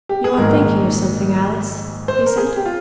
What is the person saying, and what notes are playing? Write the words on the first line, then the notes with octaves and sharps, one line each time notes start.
"You are thinking of something, Alice," he said.
G4
G#4
A#1 G#2 D#3 A#4
C5
A#4
G#4
G4
F4